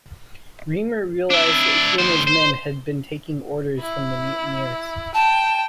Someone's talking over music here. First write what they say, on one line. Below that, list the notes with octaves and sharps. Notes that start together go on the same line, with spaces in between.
Remer realised that he and his men had been taking orders from the mutineers.
D4 E4
D#2 C5
C5
E4
G5 A5